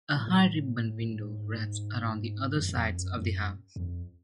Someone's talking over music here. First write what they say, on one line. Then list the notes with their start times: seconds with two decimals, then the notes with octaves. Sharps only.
A high ribbon window wraps around the other sides of the house.
0.16 A2
0.28 A#2
0.40 A2
1.36 G#2
2.57 F#2
2.69 F#2
2.76 F2
2.97 F#2
3.17 F#2
3.76 F2